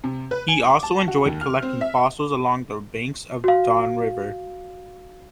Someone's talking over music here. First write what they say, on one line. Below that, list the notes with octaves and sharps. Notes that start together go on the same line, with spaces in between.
He also enjoyed collecting fossils along the banks of the Don River.
C3
B4
G#5
D6
A5
F#4
D#2
F6
C4
E5
F#4 F5